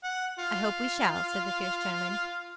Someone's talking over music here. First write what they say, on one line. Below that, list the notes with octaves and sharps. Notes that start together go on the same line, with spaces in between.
'I hope we shall,' said the fierce gentleman.
F#5
F4